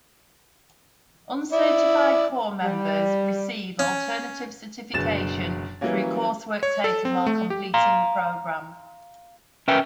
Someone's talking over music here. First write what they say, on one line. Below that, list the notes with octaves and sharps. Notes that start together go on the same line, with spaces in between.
Uncertified corps members receive alternative certification through coursework taken while completing the program.
E4 D5
G3
C#4
F#1 B2 D3 G#4 A6 E7
E3 F#3 G3 A#3 C#4
C#5
A4
C4
A3
G4
F5 A#5 C6
C#4 A#4 B4 E5 G5